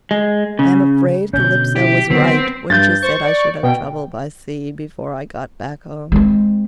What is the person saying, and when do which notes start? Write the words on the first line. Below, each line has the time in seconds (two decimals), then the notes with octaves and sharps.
I am afraid Calypso was right when she said I should have trouble by sea before I got back home.
0.11 G#3
0.59 C#3
1.33 B2 D3 C#4 G6
1.76 E4 G4 B6
2.11 D3 F#3 B3 C4
2.70 G2 G6 A6
3.02 C5 C#6
3.23 D5
3.63 B2 G5
6.12 G#3 C4